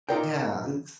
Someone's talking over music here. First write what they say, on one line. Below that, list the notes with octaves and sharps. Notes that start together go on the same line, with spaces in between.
Yeah, it's
A#2 D#4 F4 A#4 D5 G5